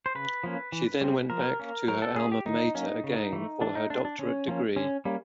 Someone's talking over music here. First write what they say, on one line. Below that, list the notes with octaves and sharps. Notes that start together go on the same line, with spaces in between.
She then went back to her Alma mater again for her doctorate degree.
C5
C#3 B4
F3 A#3 C#4
E3
G3 C4
F3 A#4
A#3 C#4
F#3 A#4
A4
A3 C#4 G#4
G4
D#3 D#4
F#3 A#3 C#4
C#3
E3 A3
E3 D4
D#4
A3 C4 D4
D4
D3 C#4
F3 A#3 C#4
D3 C#4
G3 A#3 C#4